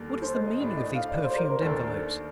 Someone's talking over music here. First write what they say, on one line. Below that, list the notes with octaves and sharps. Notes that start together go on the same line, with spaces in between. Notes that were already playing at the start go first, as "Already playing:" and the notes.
What is the meaning of these perfumed envelopes?
Already playing: D#2 D3 G3 A#3
A4
C5
D#5
D#5
A2 A3 D4 D5
D#5
F5
D5
C5
A#4
C5
A#4
D#2 D#3 A3 D4 A4